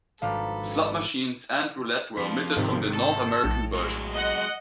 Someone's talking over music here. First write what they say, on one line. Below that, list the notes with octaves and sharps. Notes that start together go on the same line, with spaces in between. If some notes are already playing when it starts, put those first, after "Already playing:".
Slot machines and roulette were omitted from the North American version.
G#1 F3 D4 A4 B4 F5 A#5
F2 F3 B6
G#1 G#2 C3 D#3
A4
A#1 A2
F#3 G#3
D#5 F#5